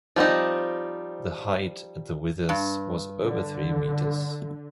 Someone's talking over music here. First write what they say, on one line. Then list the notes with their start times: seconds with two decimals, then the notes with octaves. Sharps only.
The height at the withers was over three meters.
0.16 F3 G3 C4 D#4
2.49 G2
3.25 D3